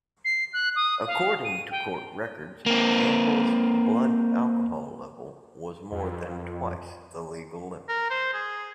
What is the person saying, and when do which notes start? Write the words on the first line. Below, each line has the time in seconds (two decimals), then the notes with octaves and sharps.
According to court records Campbell's blood-alcohol level was more than twice the legal limit.
0.25 C7
0.53 F#6
0.76 D#6
1.07 F5
1.44 D#7
1.71 G5
2.66 A#3 C4
5.92 F2
7.89 A#4
8.10 C5
8.34 G#4